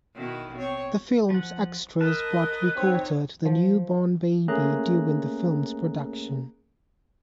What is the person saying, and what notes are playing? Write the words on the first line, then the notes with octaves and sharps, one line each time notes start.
The films extras brought riccota to the newborn baby during the films production.
B2 D#3 E4
C4 C#5
F3 F#5
A#4 B4 D#5 A5 F6
C4 D#4 C#5
F3
A3 A#3 C#4 G#4 A#5 F#6